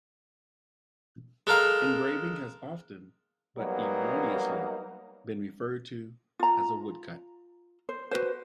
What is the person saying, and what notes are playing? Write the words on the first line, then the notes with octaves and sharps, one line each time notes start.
The engraving has often, but erroneously, been referred to as a woodcut.
G#3 A4 A#4 F5
F#3 G3 A#3 B3 D#4
F4 A#5
C5
F#4 B4 C5